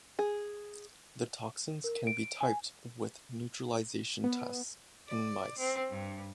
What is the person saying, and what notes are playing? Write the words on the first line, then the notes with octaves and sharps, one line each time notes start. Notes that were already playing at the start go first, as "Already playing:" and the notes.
The toxins can be typed with neutralization tests in mice.
G#4
A#4
D7
G#5
B3
D5
C4
G2